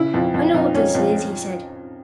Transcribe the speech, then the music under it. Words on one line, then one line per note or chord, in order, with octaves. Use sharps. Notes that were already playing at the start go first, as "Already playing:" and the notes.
"I know what this is," he said.
Already playing: C#3 E4
F2
F2
F2 D#4
F2 C#4
F2